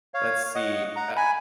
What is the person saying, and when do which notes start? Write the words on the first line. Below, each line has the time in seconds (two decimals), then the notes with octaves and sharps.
Let's see, uh
0.14 C#5 F5
0.55 D#5 F#5
0.96 F#5 A#5
1.16 G#5 B5